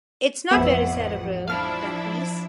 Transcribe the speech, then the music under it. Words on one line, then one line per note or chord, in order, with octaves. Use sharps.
It's not very cerebral, that piece.
A1 F2 B3 E5 F#5
F3 D4 E4 F5 F6